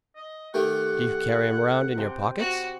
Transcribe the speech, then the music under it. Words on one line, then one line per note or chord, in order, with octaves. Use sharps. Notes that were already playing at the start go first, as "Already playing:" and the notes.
"Do you carry 'em round in your pockets?"
D#5
D#3 A3 G4 F#5
C3 G5
F#4